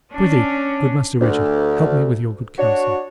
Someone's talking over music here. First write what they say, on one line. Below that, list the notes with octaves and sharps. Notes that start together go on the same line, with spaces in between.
Prithee, good Master Richard, help me with your good counsel.
C#4 D4
D2
D4 F#4 C#5